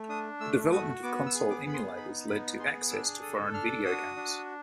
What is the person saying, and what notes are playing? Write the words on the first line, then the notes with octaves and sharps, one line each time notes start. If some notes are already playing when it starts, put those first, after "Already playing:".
The development of console emulators led to access to foreign video games.
Already playing: A3
D4 D#6
A3 E6
F#4 D#6
B3 D6
E6
G#4
D6
B3 B5
C6
D#4 B5
B3 B5
G#4 C6
D4 E6
A4 D#6
D4 F6
F#4 D#6
D4